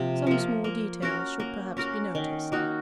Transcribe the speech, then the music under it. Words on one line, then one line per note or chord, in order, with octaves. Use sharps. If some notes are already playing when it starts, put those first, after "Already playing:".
Some small details should perhaps be noticed.
Already playing: C3 F3 A#3
F3 A#3
A#3
C#4 F#4 A#4
A#3
C#4 F#4 A#4
D#3
A#3 D#4 F#4